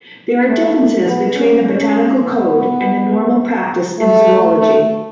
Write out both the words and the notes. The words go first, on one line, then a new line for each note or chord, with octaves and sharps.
There are differences between the botanical code and the normal practice in zoology.
A3
B3
C#4
C#4
B3
A3
A3